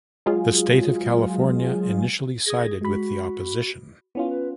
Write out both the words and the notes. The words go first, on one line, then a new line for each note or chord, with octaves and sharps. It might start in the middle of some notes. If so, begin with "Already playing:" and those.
The state of California initially sided with the opposition.
F#3 G#3 F4 G#4
G#4 D#6 G#6 A#6
G#3 F#4 B5
B3 C#4 E4 F4
B4